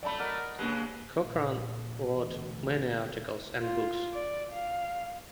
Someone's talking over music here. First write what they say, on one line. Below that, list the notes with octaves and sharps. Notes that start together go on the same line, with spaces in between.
Cochran wrote many articles and books.
F#3 A3 D5 A5 B5
A#4 D#5 F#5 D6
C#3 G#3 A#3 D4 G4 B4
A#1
A1 D2 B2
F4
D5
F5